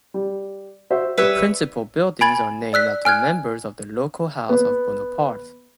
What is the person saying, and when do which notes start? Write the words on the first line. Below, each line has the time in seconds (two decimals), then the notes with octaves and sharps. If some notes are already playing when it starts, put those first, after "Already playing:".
The principal buildings are named after members of the local House of Bonaparte.
0.14 G3
0.90 F#4 C5 E5
1.18 G3 B4 C#5 E5
2.21 G#5 B5 G#6 A6 F#7
2.73 D5 E6 F#6 B6
3.05 G#5 F6 F#6 G#6
4.49 B3